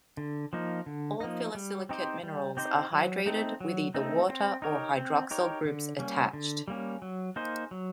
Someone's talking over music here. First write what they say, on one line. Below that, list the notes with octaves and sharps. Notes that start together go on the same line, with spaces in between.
All phyllosilicate minerals are hydrated, with either water or hydroxyl groups attached.
D3
F3 A#3 D#4
D3
F3 A#3 D#4
G3
C4 D#4 G4 C5
G3
C4 D#4 G4 C5
F#3
A3 C4 D#4
F#3
A3 C4 D#4
C4
D#4 G4 A#4 C#5
C4
D#4 G4 A#4 C#5
D3
G3 A#3 C#4
D3
G3 A#3 C#4
F#3
A#3 D#4 G#4 C5
F#3